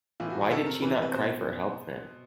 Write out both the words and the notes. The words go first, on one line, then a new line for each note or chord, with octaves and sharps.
Why did she not cry for help then?
A2 E3 F4
F#4
G#4
C3 D#3 A4
A#4
C3 E3 B4
B4
B2 C5